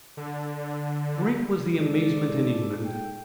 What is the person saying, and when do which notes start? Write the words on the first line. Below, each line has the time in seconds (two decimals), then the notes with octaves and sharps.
Great was the amazement in England.
0.17 D3
1.77 G#2 A4 D5
2.26 A4
2.85 G5